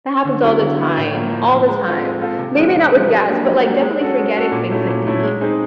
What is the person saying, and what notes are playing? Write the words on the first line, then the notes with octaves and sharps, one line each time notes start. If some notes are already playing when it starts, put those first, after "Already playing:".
That happens all the time. All the time. Maybe not with gas, but, like, definitely forgetting things that you need.
D3
F#3 B3 E4
D3
F#3 B3 E4
A2
F3 A#3
A2
F3 A#3
G#3
C4 F4 A4
G#3
C4 F4 A4
C3
F3 G#3 C4
C3
F3 G#3 C4
F#3
A#3 D4 G4
F#3
A#3 D4 G4
G#3
C#4 F#4 A4
G#3
C#4 F#4 A4
A#2
F#3 A3 C#4 E4
A#2
F#3 A3 C#4 E4
G#3
C4 D#4 G#4